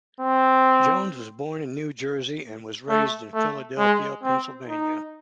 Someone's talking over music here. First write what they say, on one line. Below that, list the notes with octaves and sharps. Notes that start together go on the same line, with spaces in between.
Jones was born in New Jersey, and was raised in Philadelphia, Pennsylvania.
C4
A3
A3
G#3
C4
D#4